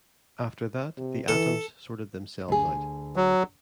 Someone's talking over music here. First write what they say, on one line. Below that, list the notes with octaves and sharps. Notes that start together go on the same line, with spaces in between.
After that, the atoms sorted themselves out.
C3
E3 A4
D2 G#4
F#3